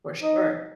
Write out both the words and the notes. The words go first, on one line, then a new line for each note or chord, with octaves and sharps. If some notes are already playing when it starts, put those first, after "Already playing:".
For sure.
D#4